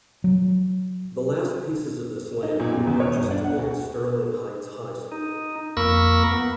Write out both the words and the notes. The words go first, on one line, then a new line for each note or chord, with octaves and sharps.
The last pieces of this land were purchased to build Sterling Heights High School.
F#3
D#4
A#2
F#2
E2
C#5
G1
D4
F#5
D2
D#4
F2 A#3 A#4 B5 C#6 E6
B3